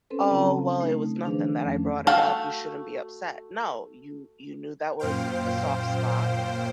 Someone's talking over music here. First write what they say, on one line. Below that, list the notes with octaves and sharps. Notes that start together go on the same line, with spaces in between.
oh well, it was nothing that I brought it up, you shouldn't be upset. No, you you knew that was a soft spot,
C4 C#4 A4 B4 C5
C#3 F#3 C4 F4 A5 A#5
A3 D#4
D#3 F3 D4 G#4 B4 C5
F2 F3 A3 C#4
A3 F#4 F5 G5 A5
F#2 A#2 C5 F5 G5